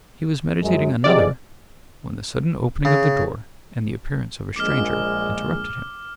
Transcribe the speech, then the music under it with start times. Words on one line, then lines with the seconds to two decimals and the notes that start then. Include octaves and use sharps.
He was meditating another, when the sudden opening of the door, and the appearance of a stranger, interrupted him.
0.62 F#2 G#3
1.04 C3 F3 F#3 G#4 D5 D#5
2.85 C#3
4.56 A#1 G#3 D6 F6